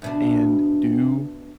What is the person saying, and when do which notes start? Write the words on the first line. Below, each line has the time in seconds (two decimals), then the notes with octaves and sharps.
and do
0.02 D2 B2 D4